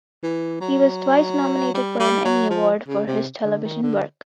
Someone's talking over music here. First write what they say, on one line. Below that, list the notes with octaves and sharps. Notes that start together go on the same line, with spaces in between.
He was twice nominated for an Emmy Award for his television work.
E3
F#3
G3
G3
F#3
F3
C#3
C3
D3
D#3
D3